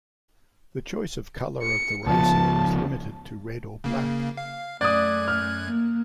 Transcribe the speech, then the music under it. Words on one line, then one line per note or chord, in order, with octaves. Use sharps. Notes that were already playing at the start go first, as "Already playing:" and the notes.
The choice of colour of the Racing was limited to red or black.
C#7
C#2 F3 A5
C#3 A#3
F5
F#2 A3 D5 D#6 F#6 G#6
F6
A#3